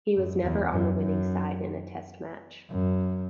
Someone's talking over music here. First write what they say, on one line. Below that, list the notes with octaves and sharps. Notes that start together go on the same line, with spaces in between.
He was never on the winning side in a Test Match.
F#2
E2
F#2
F#2
F#2